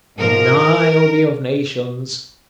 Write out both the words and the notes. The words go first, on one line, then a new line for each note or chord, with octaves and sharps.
The Niobe of nations!
G#2 F3 A#4